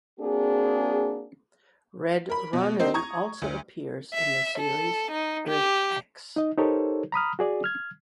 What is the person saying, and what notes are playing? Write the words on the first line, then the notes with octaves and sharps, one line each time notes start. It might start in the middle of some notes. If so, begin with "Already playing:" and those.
Red Ronin also appears in the series "Earth X".
A#3 C4 D4 F#4 G#4
A#4 B5
B2
A#3 C4 D#4 G4 C5
A#5 C#6 D#6 G#6
D2
E5
A4
D#4
G4
D#4 D#5
D#4 G4 A4 A#4 C5 C#5
A#5 B5 D#6 F6
F#4 G#4 D5
F6 G#6